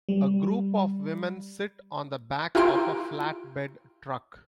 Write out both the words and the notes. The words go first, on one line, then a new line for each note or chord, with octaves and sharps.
A group of women sit on the back of a flatbed truck.
G3
E4 F4 G4 A#5 C6 D7